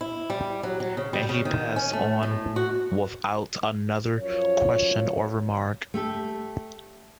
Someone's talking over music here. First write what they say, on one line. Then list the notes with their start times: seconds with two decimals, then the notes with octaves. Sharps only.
And he passed on without another question or remark.
0.01 E4
0.30 G3
0.63 F#3
0.80 F#3
0.97 C#3
1.13 G3
1.29 C#3
1.45 D#3
1.76 C#4
1.93 A3
2.23 A2
2.56 F#4
4.20 F#2 F3 F4 C#5
5.94 A3 G4 A4